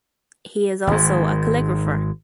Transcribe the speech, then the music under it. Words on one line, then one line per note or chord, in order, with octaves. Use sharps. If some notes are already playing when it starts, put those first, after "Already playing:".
He is also a calligrapher.
G#1 G#2